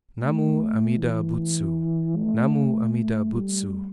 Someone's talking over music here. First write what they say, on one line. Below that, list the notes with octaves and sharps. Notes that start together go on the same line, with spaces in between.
"Namu Amida Butsu, Namu Amida Butsu."
A3
E3
A3
A3
G3